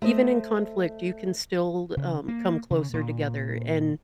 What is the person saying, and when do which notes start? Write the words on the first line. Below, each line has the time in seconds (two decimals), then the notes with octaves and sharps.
Even in conflict, you can still, um, come closer together, and
0.02 A3 C5 D#5
1.97 C#3
2.28 A#3
2.71 C#3
2.94 A#2